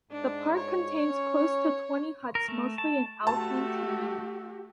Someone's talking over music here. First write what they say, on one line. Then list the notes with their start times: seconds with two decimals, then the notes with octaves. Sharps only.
The park contains close to twenty huts, mostly in alpine terrain.
0.11 G#2 D4
0.56 C#5
1.06 C#4
2.35 A#4
2.48 A3
2.78 A5
3.27 A3 F#4 G4 A5